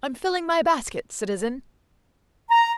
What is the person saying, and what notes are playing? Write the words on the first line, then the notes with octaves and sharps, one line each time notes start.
"I'm filling my basket, citizen."
A#5